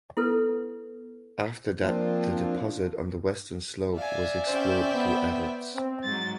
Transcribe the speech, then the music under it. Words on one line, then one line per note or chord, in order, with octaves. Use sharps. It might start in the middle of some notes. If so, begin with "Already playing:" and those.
After that the deposit on the western slope was explored through adits.
B3 E4 A4 B4
F3 A#3 C4 D4 F4
D5 E5 F5 G#5
C3 C#4 C5 G5
B3
C4
G#2 F#3 A6